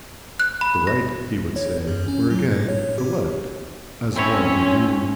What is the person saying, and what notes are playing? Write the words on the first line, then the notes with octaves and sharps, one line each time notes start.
"The Right," he would say. Or again "The Left," as one who knew.
F#6
B5
A#6
C#5
F#2
C#4
F#3
A2
C#5
G4
C4 C#4 E4 C#5